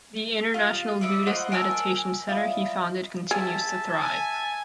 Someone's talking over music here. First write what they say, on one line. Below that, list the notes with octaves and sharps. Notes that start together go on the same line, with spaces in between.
The International Buddhist Meditation Center he founded continues to thrive.
F4 G4 D#5 F5
D#4 B4 D5 E5
F4 C5 D#5 F#5
A#4 G#5 A5 E6
E4 F4 D5 D#5
G#4 E5 A5
G#5